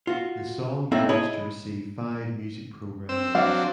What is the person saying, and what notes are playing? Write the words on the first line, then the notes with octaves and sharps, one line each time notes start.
The song managed to receive five music program wins.
F4 F#4
A#3 C4 C#4 D#4 E4 A4
E4 G#4 C#5 D#5 A5 B5
C4 E6
F#3 C4 D4 F5